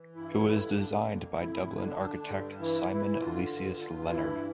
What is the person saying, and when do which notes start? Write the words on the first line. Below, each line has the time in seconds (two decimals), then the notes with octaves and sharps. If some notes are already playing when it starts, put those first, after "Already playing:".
It was designed by Dublin architect Simon Aloysius Leonard.
Already playing: E3
0.15 G2 E4
0.46 D3 E4
0.68 D4
0.76 D3
0.92 A#3
1.06 F2
1.15 A#3
1.37 F2 E4
1.67 D3
1.83 D4
1.98 D3
2.22 A3
2.28 G2 G3
2.59 E3 E4
2.90 E3 E4
3.20 D3 F4
3.51 G2
3.81 G2
4.11 E3 E4